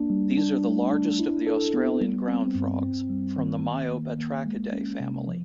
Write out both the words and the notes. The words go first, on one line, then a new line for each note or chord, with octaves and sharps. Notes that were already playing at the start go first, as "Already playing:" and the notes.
They are the largest of the Australian ground frogs, from the Myobatrachidae family.
Already playing: A#3 D4
G3
D4
A3
D4
E4
A4
B3
G3
C4
G2
C4
G3
D#3
A#3
A#3
A#3
G#3
C#4
C3
F3